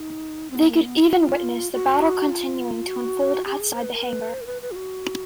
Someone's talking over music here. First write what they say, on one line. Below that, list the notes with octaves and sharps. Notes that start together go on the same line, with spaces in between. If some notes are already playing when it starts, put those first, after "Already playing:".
They could even witness the battle continuing to unfold outside the hangar.
Already playing: D#4
C4
B3
A#3
B3
E4
F4
F#4
F4
F#4
G4
G#4
C5
B4
A#4
B4
C5
A#4
B4
B4
F4
F#4